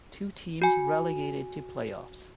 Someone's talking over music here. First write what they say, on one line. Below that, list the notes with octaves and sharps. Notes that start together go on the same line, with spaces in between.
Two teams relegated to Playoffs.
F#4 G#5